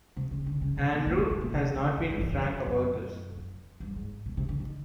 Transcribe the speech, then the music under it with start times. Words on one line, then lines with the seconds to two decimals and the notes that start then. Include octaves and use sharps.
Andrew has not been frank about this.
0.16 C3
0.31 C#3
0.46 D3
0.61 C#3
0.77 C3
0.92 B2
1.07 A#2
1.18 A2
1.30 A#2
1.41 B2
1.53 C3
1.75 C#3
1.98 A2
2.10 G#2
2.21 F#2
2.32 F2
2.43 F#2
2.67 F#2
3.80 G2
3.95 G#2
4.26 B2
4.37 C3
4.49 D3
4.60 D#3